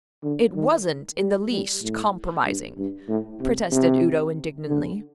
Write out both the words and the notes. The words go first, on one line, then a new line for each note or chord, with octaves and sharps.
"It wasn't in the least compromising," protested Udo indignantly.
D3
D#3
G3
G3
A2
G2
G2
A2
C3
C3
D3